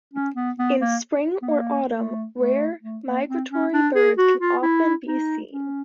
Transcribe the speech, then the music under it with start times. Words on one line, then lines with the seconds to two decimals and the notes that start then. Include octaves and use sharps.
In spring or autumn rare migratory birds can often be seen.
0.14 C#4
0.36 B3
0.59 B3
0.81 A#3
1.42 B3
1.49 A#3
1.93 A3
2.38 A3
2.83 A3
3.05 A#3
3.28 C4
3.50 C#4
3.73 D4
3.95 G#4
4.18 F#4
4.40 F4
4.63 E4
5.07 D#4
5.52 C#4